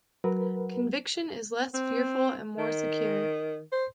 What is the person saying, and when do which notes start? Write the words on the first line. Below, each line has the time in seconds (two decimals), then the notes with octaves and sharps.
Conviction is less fearful and more secure.
0.24 F#3 A#4 B4
1.74 C4
2.58 D#3
3.72 C5